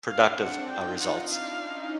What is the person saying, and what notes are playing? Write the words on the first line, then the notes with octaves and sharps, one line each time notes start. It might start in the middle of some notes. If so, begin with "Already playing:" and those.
productive, uh, results.
C4 D4 F5
C4 D4 F#5
D#4 F4 G5
F#5
D4 E4 F5
C#4 D#4